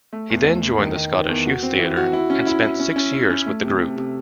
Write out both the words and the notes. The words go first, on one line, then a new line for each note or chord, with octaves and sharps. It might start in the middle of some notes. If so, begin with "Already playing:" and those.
He then joined the Scottish Youth Theatre and spent six years with the group.
A3
E2
A3
E2
D#3
D#3
D#3
E2
F#4
C4
E3
F#4
E4
C#4
E4
E4
C#4
C#4
C#4
C#4
A3
C3
C3
C3